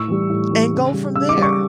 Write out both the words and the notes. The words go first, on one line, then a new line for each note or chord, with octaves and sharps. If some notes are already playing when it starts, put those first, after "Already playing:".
And go from there.
Already playing: A2 C#6 E6
E3 G3
A2
E3 G3
C#3
G3
C#3 E6
D6
G3
C#6